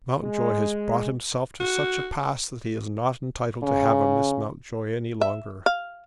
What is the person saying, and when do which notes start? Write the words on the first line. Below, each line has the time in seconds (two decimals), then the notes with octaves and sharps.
Mountjoy has brought himself to such a pass that he is not entitled to have a Miss Mountjoy any longer.
0.22 G#3
1.60 F#4
3.63 C#3
5.21 E5
5.66 F5